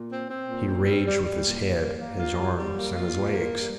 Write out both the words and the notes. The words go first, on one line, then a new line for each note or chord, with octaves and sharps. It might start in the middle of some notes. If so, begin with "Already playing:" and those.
He raged with his head, his arms, and his legs.
Already playing: A#2
C4
C4
A#2
C4
G3
G3
G3
A#2
G3
A#3
A#3
F4
G3
G3
A#3
F4
A#2
A#3
G3